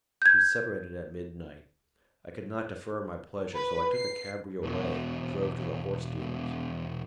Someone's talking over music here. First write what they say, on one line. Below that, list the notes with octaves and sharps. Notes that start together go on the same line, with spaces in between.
We separated at midnight. I could not defer my pleasure, so I took a cabriolet and drove to the horse dealer's.
G6 G#6
B4
C7
E2 B2